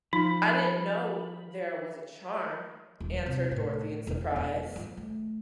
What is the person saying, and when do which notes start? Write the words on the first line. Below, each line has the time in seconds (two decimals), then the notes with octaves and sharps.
"I didn't know there was a charm," answered Dorothy, in surprise.
0.13 F3 D#4 B5
3.00 D#1
3.26 C3
3.51 A2
4.07 E1
4.36 E1
4.76 F3
4.97 A3